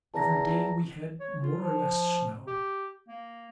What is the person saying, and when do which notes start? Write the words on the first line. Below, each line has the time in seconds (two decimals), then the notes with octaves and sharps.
Every day we had more or less snow.
0.14 E2 A5 A#5 A#6
1.20 C#5
1.42 F4
1.62 F3
2.47 G4
3.08 A#3